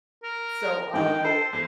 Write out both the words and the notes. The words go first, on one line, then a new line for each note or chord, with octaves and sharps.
So, um
A#4
D3 D#3 D#4 G5
A4 C5
E2 C5